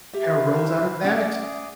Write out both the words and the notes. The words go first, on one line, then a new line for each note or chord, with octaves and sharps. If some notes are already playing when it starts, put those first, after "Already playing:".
kinda rose out of that,
G4 E5
B4 C5 F5
C#4 G#4 D5 E5 F#5 D6 D#6